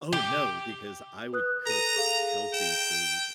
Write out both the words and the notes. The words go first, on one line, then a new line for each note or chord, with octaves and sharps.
Oh, no, because I would cook healthy food.
G4
B4 D#6 F#6
A4 A#5 D#7
G#4 F5
G5 E7